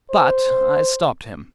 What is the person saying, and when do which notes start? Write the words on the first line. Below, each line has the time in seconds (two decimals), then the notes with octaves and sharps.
But I stopped him.
0.10 C5